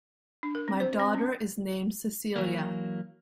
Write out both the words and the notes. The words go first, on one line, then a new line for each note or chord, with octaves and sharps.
My daughter is named Cecilia.
D4
A#4
C4
C5
C4
C#4
E3 F#3 A#3